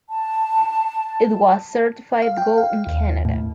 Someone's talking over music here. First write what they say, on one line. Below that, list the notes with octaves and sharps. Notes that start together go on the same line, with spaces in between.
It was certified gold in Canada.
A5
F5
G5
F5
D#2
A2